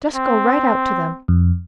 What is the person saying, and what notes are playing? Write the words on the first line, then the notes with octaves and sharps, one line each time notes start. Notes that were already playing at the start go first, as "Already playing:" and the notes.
Just go right out to them.
C4
F2